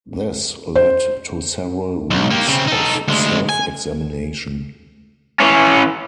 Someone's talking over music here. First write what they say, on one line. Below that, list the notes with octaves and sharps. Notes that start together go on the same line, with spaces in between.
This led to several weeks of self-examination.
C5
B1
A#3 G4
C#3 C4
D#4 A4
D2 G#3
G#5
E3 C#4